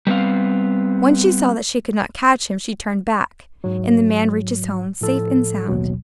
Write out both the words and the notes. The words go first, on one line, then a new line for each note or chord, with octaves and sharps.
When she saw that she could not catch him, she turned back, and the man reached his home safe and sound.
G3 B3 C4 F5
G#2 F#3
A2 F3 A4
A1 D#2 B2 F#3